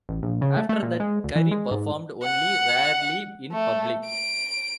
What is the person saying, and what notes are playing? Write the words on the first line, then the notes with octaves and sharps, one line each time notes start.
After that, Curry performed only rarely in public.
A1
A#1
C#3
A3
A3
A#2
G#3
D2
E3
G#3
G#2
F#5
A3
D7